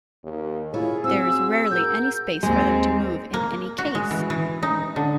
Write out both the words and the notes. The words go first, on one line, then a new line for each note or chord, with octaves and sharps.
There is rarely any space for them to move in any case.
D#2
E4 F4 G#4 C#5
C4 F#4 E6
F#4 A#4 G6
D#2 G#3 C4
A#3
F#4
G#3
E3
E3
D#4
D3